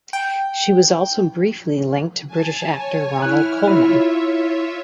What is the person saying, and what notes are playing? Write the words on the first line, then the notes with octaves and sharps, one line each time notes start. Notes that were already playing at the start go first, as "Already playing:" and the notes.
She was also briefly linked to British actor Ronald Colman.
G5
G#5 A5
C#5 G#5
E4 F6 F#6
E4 F4 C#5 E5